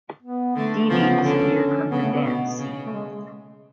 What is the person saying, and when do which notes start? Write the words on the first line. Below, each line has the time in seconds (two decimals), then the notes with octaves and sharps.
Dee Dee disappeared from the dance scene.
0.23 B3
0.55 D3 A3
0.90 C#3 F3 B3
1.23 D3 C#4
1.90 C#3 B3
2.02 A3
2.13 B3
2.24 B2 B3
2.58 C#3
2.86 A3
2.93 G#3